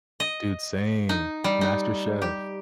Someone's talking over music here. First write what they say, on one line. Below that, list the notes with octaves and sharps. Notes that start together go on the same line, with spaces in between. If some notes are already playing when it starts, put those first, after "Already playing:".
Dude, same. MasterChef.
D#5
D#4
G3
D#4
G4